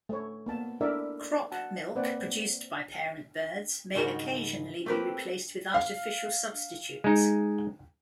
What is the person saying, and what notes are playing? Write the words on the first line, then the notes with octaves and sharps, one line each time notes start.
Crop milk produced by parent birds may occasionally be replaced with artificial substitutes.
A3 C#5
A#3 B3 A5
D4 E4 A4 A#4 D5 E5
F#4 F#5 A5
A#3 C4 B4 D5 F#5
C#2 G#2 D#3 G3 F#4 A#4
A3 A#3 C4 G4 A#4 B4
F5
G#3 D#4